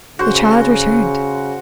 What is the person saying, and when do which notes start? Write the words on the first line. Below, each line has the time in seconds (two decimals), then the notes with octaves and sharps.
The child returned.
0.19 C#3 F#4 C5